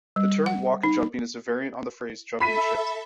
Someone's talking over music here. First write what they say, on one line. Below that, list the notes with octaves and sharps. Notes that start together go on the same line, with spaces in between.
The term waka-jumping is a variant on the phrase "jumping ship".
G3
F#5
D#4
A4 E5 B5 B6 D#7